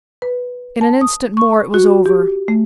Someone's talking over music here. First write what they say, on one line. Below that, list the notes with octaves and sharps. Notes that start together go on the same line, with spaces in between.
In an instant more it was over.
B4
A5
D#6
C#6
F#4
G4
A3